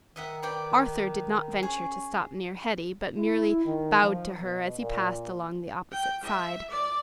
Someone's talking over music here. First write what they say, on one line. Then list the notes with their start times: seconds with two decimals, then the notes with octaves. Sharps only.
Arthur did not venture to stop near Hetty, but merely bowed to her as he passed along the opposite side.
0.16 D#3 D#5 E5 F#5
0.43 B4 D5 G5
1.63 C#4 G#4
3.16 E4
3.65 D#3
4.00 F3
4.40 B2
4.77 A#2
5.92 G5
6.23 E5
6.70 D5